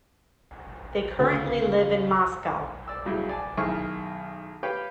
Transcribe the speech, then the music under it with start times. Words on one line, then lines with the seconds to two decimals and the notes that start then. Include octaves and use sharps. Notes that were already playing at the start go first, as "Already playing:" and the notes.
They currently live in Moscow.
1.19 D2 C#3
2.88 D5 E6
3.06 G2 C#3 F#3 G3 E4
3.29 D5 G#5 A5
3.58 B1 D#3 E4 G#4 C#6 F6
4.63 G4 B4 C#5 F5 G5